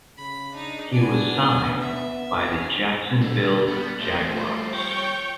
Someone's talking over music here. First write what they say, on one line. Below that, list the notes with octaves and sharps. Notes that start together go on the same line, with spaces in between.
He was signed by the Jacksonville Jaguars.
C#3 B5
D4 D#4
B3 D4 G#5
E5
C#4 G#4
D3 G3
G3 B3
A#2 F3 A3 C#4 C5
G3 F4
C#5 G5 C#6